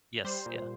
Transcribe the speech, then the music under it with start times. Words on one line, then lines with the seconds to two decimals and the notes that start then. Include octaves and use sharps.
Yes, yeah.
0.25 G3 C5
0.46 A#2